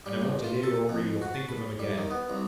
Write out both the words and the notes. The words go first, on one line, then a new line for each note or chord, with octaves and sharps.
I never want to hear, or read, or think of them again!'
G3
A1
F4
A4
F2
F#4
A5
B5
G3
D#3
B3
C2